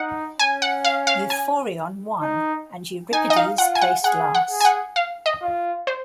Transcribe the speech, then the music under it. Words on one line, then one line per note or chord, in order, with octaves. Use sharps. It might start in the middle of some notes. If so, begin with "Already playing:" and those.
Euphorion won, and Euripides placed last.
Already playing: D#4 F#5
C#4 G#5
F#5
F5
F5
G#5
D#4
D#4 G#5
D#5
F5
F4 F#5
G#5
F#5
G#4 F#5
F#5
G#4
G#5
F#5
F5
D#5
F4
C5